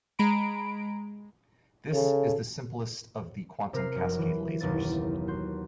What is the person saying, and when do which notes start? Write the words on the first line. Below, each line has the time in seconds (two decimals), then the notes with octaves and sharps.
This is the simplest of the quantum cascade lasers.
0.19 G#3 A#5 B5 D7
1.93 C#3 A4
3.73 C3 A#4 F6 C7
3.95 F1 F#2
4.18 E3
4.60 F#1 D#2 B2 B3 E4 A6
5.28 F#4 C6 G6